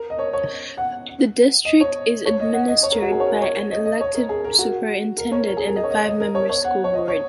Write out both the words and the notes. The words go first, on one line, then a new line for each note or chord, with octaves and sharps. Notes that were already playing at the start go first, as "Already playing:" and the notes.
The district is administered by an elected superintendent and a five-member school board.
Already playing: A#4
D#5
C#5
C#5
F#5
D#5
C#5
C#5
D#5
F#5
D#5
C#5
A#4
F#4
G#4
C#5
A#4
D#5
C#5
D#5
D#5
C#5
A#4
G#4
A#4
F#4
A#4
C#5
A#4
G#4
A#4
D#5
C#5
D#5
D#5
A#4
C#5
C#5
F#5
C#5
D#5
C#5